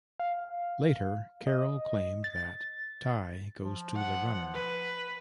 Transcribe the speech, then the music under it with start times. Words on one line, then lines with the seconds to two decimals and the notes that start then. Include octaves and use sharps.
Later, Carroll claimed that, Tie goes to the runner.
0.20 F5
1.47 D#5
2.24 A6
3.65 F3
3.95 F#5
4.54 B4